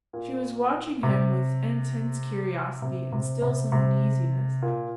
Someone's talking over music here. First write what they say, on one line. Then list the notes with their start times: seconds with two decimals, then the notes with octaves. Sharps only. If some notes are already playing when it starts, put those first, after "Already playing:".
She was watching him with intense curiosity and still some uneasiness.
0.13 A#2
1.03 C3
2.82 C3
3.12 C3
3.42 C3
3.72 C3
4.62 A#2